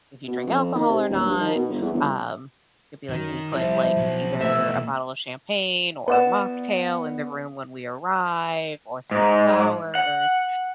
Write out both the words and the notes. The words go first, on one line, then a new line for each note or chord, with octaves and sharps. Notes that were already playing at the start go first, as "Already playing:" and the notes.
if you drink alcohol or not. Um, it'd be like, "Can you put like either a bottle of champagne or a mocktail in the room when we arrive or some flowers?"
B2
F2
D#3
C3
D#1
G2
D#3
B2
G1
E2
G1
F#2 D#3
F3 G3 C4 E4
B2 F#3
B2 E3 A3 E5
B3 B4 D5 F#5 E7
G#2
F#5